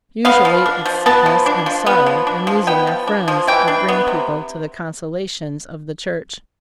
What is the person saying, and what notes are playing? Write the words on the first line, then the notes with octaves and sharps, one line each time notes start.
Usually it's sickness, and sorrow, and losing their friends that bring people to the consolations of the church.
B3 F5
F3
D4
F3
B3 A5
F3
D4
F3
B3
F3
D4
F3
B3 G5
F3
D4
F3
E3 G5
D4
B3
C3